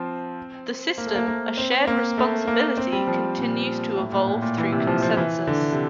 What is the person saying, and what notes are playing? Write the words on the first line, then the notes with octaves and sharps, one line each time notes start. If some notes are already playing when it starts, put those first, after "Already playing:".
The system, a shared responsibility, continues to evolve through consensus.
Already playing: F3 C4
A#3
A3
A#3
A#3
C4
A#3
A3
A#3
C4
G3
F3
A#2
A2
A#2
A2
A#2
E3
C3
F3
F3
E3
D3
C3